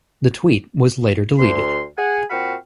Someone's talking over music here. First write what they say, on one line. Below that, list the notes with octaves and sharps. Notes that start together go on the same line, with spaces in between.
The tweet was later deleted.
D2 C6
G#4 F#5 G#5
A#2 C4 F#4 F5 B5 C#6